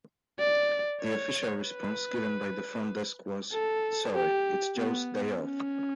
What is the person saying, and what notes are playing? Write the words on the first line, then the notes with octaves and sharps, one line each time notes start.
The official response given by the front desk was, Sorry, it's Joe's day off.
D5
C#5
B4
A4
G4
B3
C#4